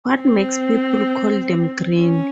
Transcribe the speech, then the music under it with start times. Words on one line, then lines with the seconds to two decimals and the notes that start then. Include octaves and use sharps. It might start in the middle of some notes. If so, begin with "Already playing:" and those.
What makes people call them green?
0.13 C4
1.99 C#4